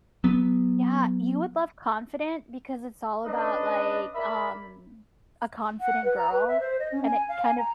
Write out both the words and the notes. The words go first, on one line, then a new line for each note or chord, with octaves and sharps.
Yeah. You would love Confident because it's all about, like, um, a confident girl, and it kinda
F#3 B3
C#4 D4 B4 D#5
A#4 D5 E5 B5
F#5
B4
A#5
B4
E5
C5
D#5
C#4
G#5
F5
G#5
A#5